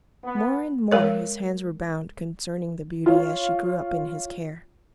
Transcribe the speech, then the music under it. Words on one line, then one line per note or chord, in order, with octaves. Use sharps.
More and more his hands were bound concerning the beauty, as she grew up in his care.
B3
G#3 A#4 C#5
F4 C#5